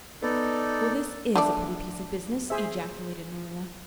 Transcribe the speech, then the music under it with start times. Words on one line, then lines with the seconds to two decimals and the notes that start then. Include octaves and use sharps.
"Well, this is a pretty piece of business!" ejaculated Marilla.
0.23 B3 D#4 A4 D5
1.35 A3 D4 A4 D5
2.50 G#4 C5 E5